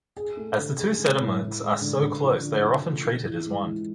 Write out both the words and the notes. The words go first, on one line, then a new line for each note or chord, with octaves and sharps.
As the two settlements are so close they are often treated as one.
G#4
A3
D3
G#4
G#3
A2
E4
G#3
D3
D3
F3
D3
F3
A3
F3
E3
G#3
E3